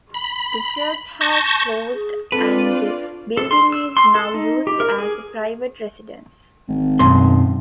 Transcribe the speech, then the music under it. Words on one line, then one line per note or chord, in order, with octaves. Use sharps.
The church has closed and the building is now used as a private residence.
B5
A5 C#6 G6 A#6
G#4
C4 D4 F4 A4 B4 D5
A4
C6
E6
C6
A4
D#4
G4
A#4
G#4
G#1
B1 F#2 C6